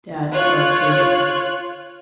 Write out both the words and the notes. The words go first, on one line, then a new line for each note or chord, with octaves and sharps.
They had twelve children.
F4 C#5 F#6